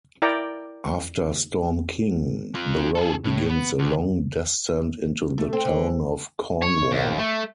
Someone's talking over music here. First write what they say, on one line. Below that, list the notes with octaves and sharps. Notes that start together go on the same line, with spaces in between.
After Storm King, the road begins a long descent into the Town of Cornwall.
E4 A#4 D5 G5 A#5
C4 F4
G#4 A4
A2
B3
D2
A3
C4
D3
C#5
D#2
A3